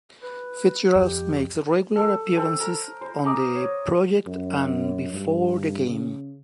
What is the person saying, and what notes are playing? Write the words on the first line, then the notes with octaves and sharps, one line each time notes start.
Fitzgerald makes regular appearances on "The Project" and "Before The Game".
B4
F2 G4
A4
A4 C5 G5
A#4
C5
A#5 D6 D#6
C#5
F#2
G2
C#3